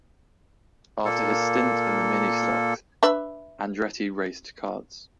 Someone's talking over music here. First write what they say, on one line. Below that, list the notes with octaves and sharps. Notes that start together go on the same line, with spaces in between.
After his stint in the Mini Stocks, Andretti raced karts.
A#2 A#3 A4
D4 B4 E5